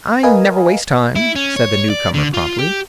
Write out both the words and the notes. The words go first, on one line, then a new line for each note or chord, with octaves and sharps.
"I never waste time," said the newcomer, promptly.
A#4 B4 D#5 F5 G#5
E4
C#4
C#5
D5
D3
F4
G4